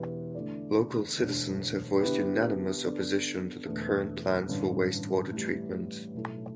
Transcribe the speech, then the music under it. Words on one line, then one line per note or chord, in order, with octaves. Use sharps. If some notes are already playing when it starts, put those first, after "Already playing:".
Local citizens have voiced unanimous opposition to the current plans for wastewater treatment.
Already playing: E1 E2 E3 B3 G4
D3 A3 E4 A4 D5
E1 D2 D3 A3 D4
D3 B3 E4 G4 B4
D3 B3 D4 A4 D5
E1 E2 D3 A3
A1 G2 D3
A2 E3 G3
B1 A2 A3 E4 A4